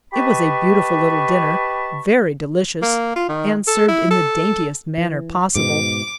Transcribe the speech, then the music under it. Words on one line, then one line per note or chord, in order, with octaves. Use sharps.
It was a beautiful little dinner, very delicious, and served in the daintiest manner possible.
G4 B4 D#5 A5 B5 C#6
A#3
F4
D#3
A4
E4
A4
E3
G#2 B2 D6